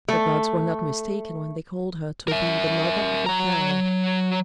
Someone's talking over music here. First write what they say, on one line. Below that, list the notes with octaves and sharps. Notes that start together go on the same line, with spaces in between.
The gods were not mistaken when they called her to be the mother of a pharaoh.
A3
A#4 E5
F#3 A#5